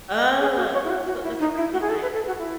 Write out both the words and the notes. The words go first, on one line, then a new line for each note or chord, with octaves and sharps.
Oh. So just, like, a paint night.
D#5
G#4
F#4
C#5
E4
F#4
F#4
E4
D#4
E4
F#4
G#4
A4
B4
A4
F#4
E4